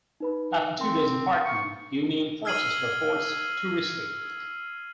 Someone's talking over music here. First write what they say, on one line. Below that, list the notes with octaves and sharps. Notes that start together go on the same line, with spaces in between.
After two days of fighting, Union forces were forced to retreat.
D#4 B4 B5
C4 A#4 C6
C#6
E6 F6 G#6 C7 D#7 F#7